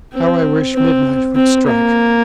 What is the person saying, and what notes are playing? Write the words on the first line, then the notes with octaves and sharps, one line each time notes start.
"How I wish midnight would strike!"
C4
C4
C4
A#3